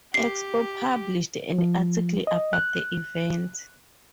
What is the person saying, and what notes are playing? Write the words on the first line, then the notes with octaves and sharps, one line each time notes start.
Expo published an article about the event.
G4 C7
F3
D#5
F#6